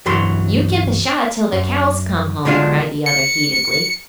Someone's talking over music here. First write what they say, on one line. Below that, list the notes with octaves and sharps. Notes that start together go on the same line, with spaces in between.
"You kin 'pshaw' till the cows come home," cried the other heatedly.
C2 G2 E3 F#3 C6
F#2
B1 D3 G#3 D4 F4
C#7